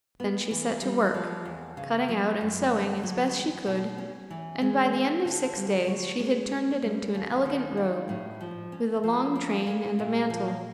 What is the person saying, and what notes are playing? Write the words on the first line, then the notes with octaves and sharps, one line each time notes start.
Then she set to work, cutting out and sewing as best she could, and by the end of six days she had turned it into an elegant robe with a long train and a mantle.
B3
E3
G3
F3
E2
C#3
F#3
F#2
D3
F#3
E2
B2
C#4
E3
G#3
A#3
D3
G3
F#4
G#3
C#4
G3
D#2
D#3
A#3
A2
F3
C#4
F3
A#3
G#3
A#2
F3